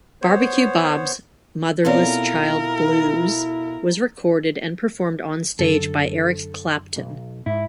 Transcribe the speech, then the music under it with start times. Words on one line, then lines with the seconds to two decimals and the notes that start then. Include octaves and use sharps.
Barbecue Bob's "Motherless Child Blues" was recorded and performed on stage by Eric Clapton.
0.22 B3 C5 C#5
1.85 B2 C4 E4 F4 A4 A#4 C#5 D5
5.59 F#2 D3 A4
6.96 B1
7.46 G#2 E4